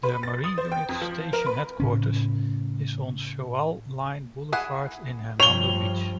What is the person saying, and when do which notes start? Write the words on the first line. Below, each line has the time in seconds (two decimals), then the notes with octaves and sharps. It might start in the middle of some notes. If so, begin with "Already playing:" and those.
Their Marine Unit Station headquarters is on Shoal Line Boulevard in Hernando Beach.
0.03 B4
0.23 A6
0.44 D#6
0.58 C5
0.72 G5
0.89 F2
1.01 F3
1.33 A#4
1.46 B4
1.80 A2 C#3 C#4
4.53 E4 G#4 F#5
5.40 G2 F3 C#5 F7 G7